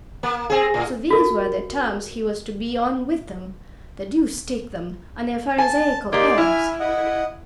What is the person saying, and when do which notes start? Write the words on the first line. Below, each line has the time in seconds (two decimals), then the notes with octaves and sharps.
So these were the terms he was to be on with them--the deuce take them and their pharisaical airs!
0.23 A#3
0.50 C4 G#4
0.74 A2
1.10 F#4 A#4
5.58 G#5 A5
6.13 A#3 D#4 G4 D5 C6
6.38 E4 G#5 F6
6.80 D#5 F#5